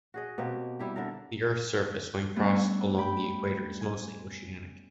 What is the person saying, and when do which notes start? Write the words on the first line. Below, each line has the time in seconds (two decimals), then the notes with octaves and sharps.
The earth’s surface, when crossed along the Equator, is mostly oceanic.
0.14 F#4 G#4 D#5
0.38 B2 A#3 C4 G4
0.79 G3 E4 G4
0.96 D3 A4 A#4
2.36 G3 A3 B3 C#4 D4
2.98 G4 G5 B5
3.81 G#5